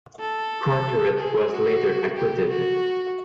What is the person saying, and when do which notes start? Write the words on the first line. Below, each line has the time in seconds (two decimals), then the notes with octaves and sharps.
Carteret was later acquitted.
0.20 A4
1.18 G#4
1.51 F#4
2.16 G4
2.49 F#4